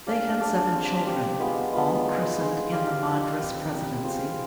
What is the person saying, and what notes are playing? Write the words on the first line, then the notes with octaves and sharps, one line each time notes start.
They had seven children, all christened in the Madras Presidency.
D4 G#4 D5 F5
D4 G#4 D5 F5
C4 G4 C5
C4 G4 C5
G#3 B3 F4 B4
G#3 B3 F4 B4
D#4 G#4 C5
D#4 G#4 C5
D#4 G4 D5 F5
D#4 G4 D5 F5
C4 G4 B4 D#5
C4 G4 B4 D#5
C4 F4 G#4 C5